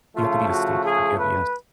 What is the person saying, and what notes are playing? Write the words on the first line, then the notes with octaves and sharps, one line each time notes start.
you have to be in a state to forgive, yes.
C#3 F3 A3 F4
F#4
G#4
B4